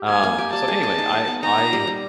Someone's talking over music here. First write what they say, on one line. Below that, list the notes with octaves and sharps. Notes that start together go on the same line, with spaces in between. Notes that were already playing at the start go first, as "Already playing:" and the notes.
Um, so anyway, I I
Already playing: G4
A#3 G#5
A#3
G4
G3 A5
G#4
G#4
D#4
G#4
B3
D#4 A#5
D#4
G3
G3